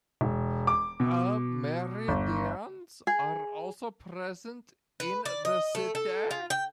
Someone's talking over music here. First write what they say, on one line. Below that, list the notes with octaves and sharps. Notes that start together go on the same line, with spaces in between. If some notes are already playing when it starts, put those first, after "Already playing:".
Amerindians are also present in the city.
E1
D6
B2
G1
G#4
B4
D5
D#5
A3
A4
F4
G5